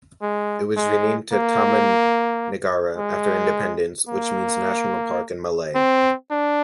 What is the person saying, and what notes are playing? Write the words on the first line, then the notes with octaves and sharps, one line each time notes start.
It was renamed to Taman Negara after independence, which means "national park" in Malay.
G#3
G#3
A#3
G#3
A#3
C4
D4